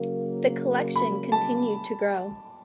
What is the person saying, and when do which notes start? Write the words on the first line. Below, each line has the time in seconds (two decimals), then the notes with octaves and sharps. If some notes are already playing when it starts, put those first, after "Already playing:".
The collection continued to grow.
Already playing: C#3 F#3 A#3
0.96 B5
1.32 A5